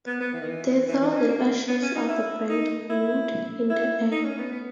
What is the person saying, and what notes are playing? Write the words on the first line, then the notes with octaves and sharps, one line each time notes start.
They throw the ashes of the burnt wood in the air.
B3
B3
E3
D#3
E3
E3
E3
C#4
A#3
B3
C#4
D#4
E4
D#4
E4
E4
D#4
C#4
B3
B3